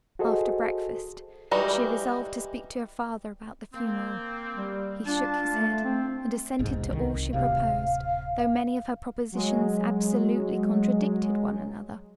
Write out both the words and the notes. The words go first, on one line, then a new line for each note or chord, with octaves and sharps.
After breakfast, she resolved to speak to her father, about the funeral. He shook his head, and assented to all she proposed, though many of her propositions absolutely contradicted one another.
F#4 G#4 A4 C5 D#5
E3 G3 G#3 D#4 F#4
A#3 C4
G3
D4 F4 A5
A3
C4
E1 C2 G#2
C2 D#3
D1 C3 F5
F#3 G#3